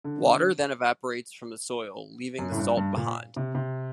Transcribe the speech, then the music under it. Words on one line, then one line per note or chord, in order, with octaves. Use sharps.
Water then evaporates from the soil leaving the salt behind.
D3
F#2
A2
G2
G2
A#2
C3
C3